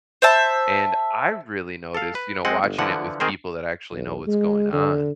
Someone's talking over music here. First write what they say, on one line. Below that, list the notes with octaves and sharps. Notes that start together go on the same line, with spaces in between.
And I really noticed, you know, watching it with people that actually know what's going on,
C5 E5 A5
A4 F5
B4
G#3 C4 D#5 F#5
G1
D3 E3 F3 F#5
D#3 C4 G#4 A#4 C5
B1
G#3
D3